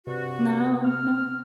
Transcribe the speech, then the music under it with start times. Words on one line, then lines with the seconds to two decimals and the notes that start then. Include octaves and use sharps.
No. No.
0.07 G2 C3 F#4
0.85 F6